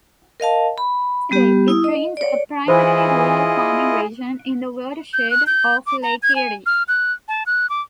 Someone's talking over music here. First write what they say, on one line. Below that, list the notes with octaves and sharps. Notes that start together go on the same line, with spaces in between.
Today, it drains a primarily rural farming region in the watershed of Lake Erie.
A#4 D#5 F5 A5
B5
G3 B3 G4
E4 D#6
D#5
C#5 D5
E3 E4 F4 G#4 C5 D#5
G6
F#6
G6
D6
A#5
G#6
G#5
F6
F#6
A5
F#6
D6